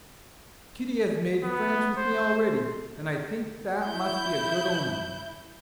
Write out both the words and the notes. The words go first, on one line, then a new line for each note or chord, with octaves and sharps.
"Kitty has made friends with me already, and I think that must be a good omen."
B3
C5
E4 G6